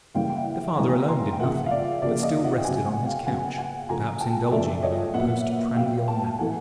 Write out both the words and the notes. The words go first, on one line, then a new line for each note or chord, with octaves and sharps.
The father alone did nothing, but still rested on his couch, perhaps indulging in a postprandial nap.
C#3 E3 G3 A#3 F5 G5
G5
E5 F#5
C#3 E3 G3 A#3 G#5 A#5
A#5 C6
G5
C#3 F3 A#3 E5 F#5
F5
D5 E5
C#3 F3 A#3 D5 E5
D#5 F5
E5 F#5
G5
C#3 F#3 B3 F#5 G#5
F#5 G#5
F5 G5
C#3 F#3 B3 F#5 G#5
F#5 G#5
C#3 F3 A3 G#5 A#5
G5 A5
C#3 F3 A3 D5 E5
C#5 D#5
A#2 F#3 B3 E5 F#5
A#2 F#3 B3 F5 G5
G5 A5
A2 E3 A3 F#5 G#5